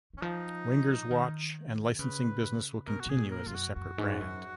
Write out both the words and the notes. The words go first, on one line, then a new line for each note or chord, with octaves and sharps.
Wenger's watch and licensing business will continue as a separate brand.
D#3
C#4
F3 D#4
D#3
C#3 B4
B2 A#4
F#4
B2 G#4
A#2
A#4
F#2 F4
F#4
F#2 F#4
G#2
F#2